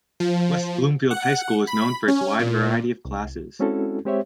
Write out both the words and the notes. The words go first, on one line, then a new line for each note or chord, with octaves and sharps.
West Bloomfield High School is known for its wide variety of classes.
F3
F#5
B5
C#4
A#2
C2
G#3 C4 C#4 E4 F#4 A4
G#3 C4 G4 C5 C#5 E5